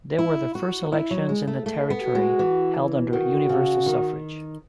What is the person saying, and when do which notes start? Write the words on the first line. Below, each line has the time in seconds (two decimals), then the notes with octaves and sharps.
They were the first elections in the territory held under universal suffrage.
0.18 E4
0.55 F#4
0.92 E4
1.11 F#3
1.29 G#3
1.47 A3
1.66 A3
1.90 B3
2.02 F#4
2.15 G#3
2.39 E3
3.13 D#3 F#4
3.49 C#3
3.86 D#3